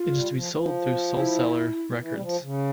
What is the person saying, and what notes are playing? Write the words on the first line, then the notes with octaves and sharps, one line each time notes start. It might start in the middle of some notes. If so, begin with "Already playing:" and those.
It is to be sold through Soulseller Records.
Already playing: F4
G3
F3
F3
E4
E3
G3
F3
C#3